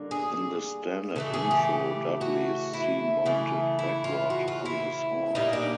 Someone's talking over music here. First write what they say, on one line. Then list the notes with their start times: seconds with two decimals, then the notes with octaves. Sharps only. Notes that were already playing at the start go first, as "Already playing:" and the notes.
In the standard intro, Dudley is seen mounted backward on his horse.
Already playing: D3 G3 A#3
0.11 G#4
1.16 C#3 E3 A3 A4
1.34 G#4
1.51 G4
2.21 F#4
2.73 E4
3.26 C#3 E3 A3
3.79 E4
4.04 F4
4.30 F#4
4.48 F4
4.65 E4
5.35 A#2 G3 A#3 D#4
5.53 D4